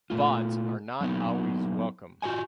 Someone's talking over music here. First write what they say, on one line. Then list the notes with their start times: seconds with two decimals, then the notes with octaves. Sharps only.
Bots are not always welcome.
0.10 A#2 A3 F4
1.01 F#3 A#3 B3 D#4
2.22 F4 F#4 C#5 D#5 G#5